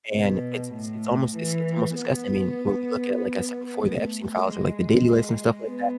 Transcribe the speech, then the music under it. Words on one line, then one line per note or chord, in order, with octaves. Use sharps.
And it's it's it's almost, it's it's almost disgusting. I mean, when we look at, like I said before, the Epstein files or, like, the daily lists and stuff like that,
B2
A2
E3
B3
A3
G#3
B3